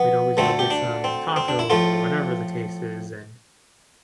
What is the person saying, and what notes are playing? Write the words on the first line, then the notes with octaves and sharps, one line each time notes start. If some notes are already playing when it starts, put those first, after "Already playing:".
we'd always go get some tacos, or whatever the case is, and,
Already playing: F3 B3
D2 D3 A3 C4
G4
D4
C4
C4
D4
E4
A2 F3 A3 F4